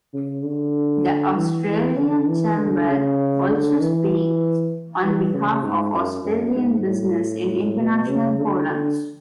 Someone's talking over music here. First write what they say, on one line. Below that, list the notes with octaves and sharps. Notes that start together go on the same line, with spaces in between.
The Australian Chamber also speaks on behalf of Australian business in international forums.
C#3
D3
E3
E3
D3
E3
D3
C#3
D3
E3
E3
C#3
G#2
F#2
F#2
G#2
A2
B2
C#3
D3
D3